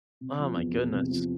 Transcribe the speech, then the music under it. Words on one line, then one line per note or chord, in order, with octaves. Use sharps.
Oh my goodness.
C3
F3
E2
E2
C3
F3